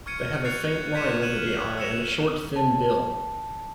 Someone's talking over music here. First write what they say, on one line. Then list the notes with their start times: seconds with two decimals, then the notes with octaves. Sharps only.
They have a faint line over the eye and a short thin bill.
0.06 C#6 F6 G#6 C#7 D#7
0.44 F#6 G6 A6 C7 C#7 F7
0.94 G6 G#6 B6 C#7 D#7 E7
1.22 F6 F#6 G#6 D#7 E7 F#7
1.47 C7
1.78 E6 F#6 C#7 E7 F7
2.56 A5